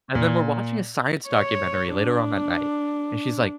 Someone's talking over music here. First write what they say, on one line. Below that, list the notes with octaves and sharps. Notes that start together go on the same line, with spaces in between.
and then we're watching a science documentary later on that night, and she's like,
A#2
C#5
D4